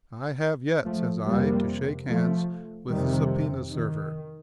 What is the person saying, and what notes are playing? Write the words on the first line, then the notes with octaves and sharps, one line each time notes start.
I have yet,' says I, 'to shake hands with a subpoena server.'
F3 A3
F2 C3 G3 A#3
F3 A3
F2 C3 D#3 G3
D#3